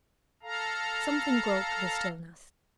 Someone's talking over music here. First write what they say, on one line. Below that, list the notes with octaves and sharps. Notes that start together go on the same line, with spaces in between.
Something broke the stillness.
A4 F5 A#5